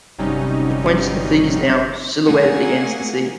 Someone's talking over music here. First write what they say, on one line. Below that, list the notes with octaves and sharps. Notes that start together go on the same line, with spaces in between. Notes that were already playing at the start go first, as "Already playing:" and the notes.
He points to the figures now silhouetted against the sea.
G1 C3 F#3 G3 C#4 D#4
A3 A#3 G#4 F#5 G#5